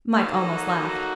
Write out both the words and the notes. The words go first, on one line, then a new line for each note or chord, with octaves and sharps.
Mike almost laughed.
D3 F#3 A#3 D#4 F5
F#4
F#4